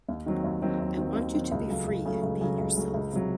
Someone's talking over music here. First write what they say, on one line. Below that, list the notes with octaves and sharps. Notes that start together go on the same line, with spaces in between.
I want you to be free and be yourself.
D#2
D#3 F#3 C4
D#2
D#3 F#3 C4
D#2
D#3 F#3 C4
D#2
D#3 F#3 C4
C#2
C#3 F#3 A3
C#2
C#3 F#3 A3
C#2
C#3 F#3 A3
C#2
C#3 F#3 A3
C#2
C3 F#3